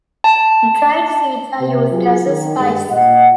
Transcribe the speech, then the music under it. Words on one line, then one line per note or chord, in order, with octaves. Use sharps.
Dried seeds are used as a spice.
A5
C3
F#3 B3 F4 G#4
D#3
G2 G#3
A#2 D#5 F#5